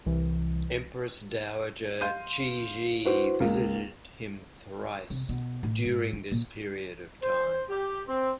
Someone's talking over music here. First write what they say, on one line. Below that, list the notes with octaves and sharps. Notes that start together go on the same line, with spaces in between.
Empress Dowager Cixi visited him thrice during this period of time.
C2 E3
F5 C6 G6 D#7
E4 F#4 B4 C5
C#2 A#3 F5
C3
B2
A1
G#2
D4
A#2
C5
G4
C4